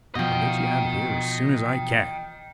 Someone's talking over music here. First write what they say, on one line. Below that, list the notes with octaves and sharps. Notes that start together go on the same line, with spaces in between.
I'll get you out of here as soon as I can.
B2 F3 D#5 G5